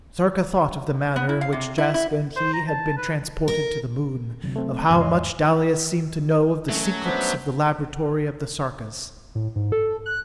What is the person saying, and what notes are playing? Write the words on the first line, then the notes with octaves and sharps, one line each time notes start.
Sarka thought of the manner in which Jaska and he had been transported to the Moon; of how much Dalis seemed to know of the secrets of the laboratory of the Sarkas.
B3
E4
F5
C3
E4
E4
C5
A#5
A5
B4
A#4
D2 C3 F#3
A3 C4
E2 G#2 C3 D#3 E3 F6
C#5 D#5 C6
F#3 A3 C#4
B3 D4 C5 E5
A2
G#2
A4
F#6